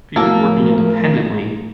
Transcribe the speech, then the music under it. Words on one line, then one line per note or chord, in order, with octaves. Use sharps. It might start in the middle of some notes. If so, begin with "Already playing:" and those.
people working independently,
A2 F3 F#3 A3 A#3 A4 A#4 A#5